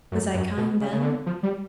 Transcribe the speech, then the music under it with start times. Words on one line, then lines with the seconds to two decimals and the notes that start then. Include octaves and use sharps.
Was I kind then?
0.12 F#2
0.34 F#2
0.57 B2
0.81 C#3
0.93 C#3
1.03 D3
1.26 F3
1.43 G3